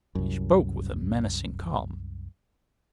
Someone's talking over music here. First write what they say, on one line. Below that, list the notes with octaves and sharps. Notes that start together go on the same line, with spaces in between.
He spoke with a menacing calm.
C2 F#2